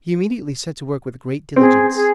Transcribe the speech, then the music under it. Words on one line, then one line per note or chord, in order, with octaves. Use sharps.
He immediately set to work with great diligence.
C4 G#4
G#4